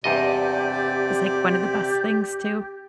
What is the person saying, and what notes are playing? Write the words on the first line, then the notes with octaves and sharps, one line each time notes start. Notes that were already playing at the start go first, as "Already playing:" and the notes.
is, like, one of the best things, too?
E2 G2 C3 G4 D5 D#5